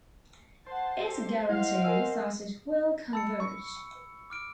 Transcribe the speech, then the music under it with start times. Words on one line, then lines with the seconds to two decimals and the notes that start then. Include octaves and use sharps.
It guarantees that it will converge.
0.67 C5 F#5 A5
0.98 G4 A4
1.49 G3 E4 D#5 F5 F#5
1.84 A#4 G#5 E6
3.13 A5 B5 E6 C#7
3.40 C#6
4.30 D6 F6 D7